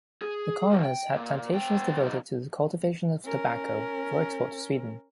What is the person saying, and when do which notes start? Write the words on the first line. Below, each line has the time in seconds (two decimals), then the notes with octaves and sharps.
The colonists had plantations devoted to the cultivation of tobacco for export to Sweden.
0.22 G#4
0.71 C3 F3
0.83 G5
1.15 A#2
1.54 B3 G5
1.99 F#2 D#4
3.25 C#4 A#4